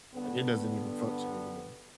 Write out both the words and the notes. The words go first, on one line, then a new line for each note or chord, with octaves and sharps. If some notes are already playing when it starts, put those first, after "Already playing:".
like, it doesn't even function anymore.
G2 D3 B3